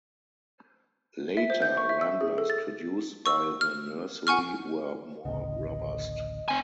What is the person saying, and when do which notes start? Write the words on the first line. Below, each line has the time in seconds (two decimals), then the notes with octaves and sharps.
Later ramblers produced by the nursery were more robust.
1.37 E5
1.50 C5
1.62 G6
1.77 C#6
1.89 E5
2.01 E6
2.21 G#4
2.38 A4
2.50 A6
3.26 C#6 E6
3.61 F6
4.27 F#5 G#5 C#6 F6
5.25 A1 D2 C#3 D#5
6.49 C4 G#5